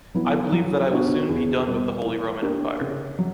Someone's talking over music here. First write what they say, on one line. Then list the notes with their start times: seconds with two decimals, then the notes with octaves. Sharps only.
I believe I will soon be done with the Holy Roman Empire.
0.14 F#3 B3 E4
0.52 F#3
0.91 B3 D4 F#4
1.29 E2
1.67 B2 G3 A#3
2.04 E3
2.42 A#3 D4 G4
2.81 C#3
3.19 F#3